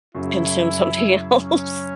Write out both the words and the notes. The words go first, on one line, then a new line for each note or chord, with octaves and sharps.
consume something else.
F#2 C#3 F#3 E4
C#4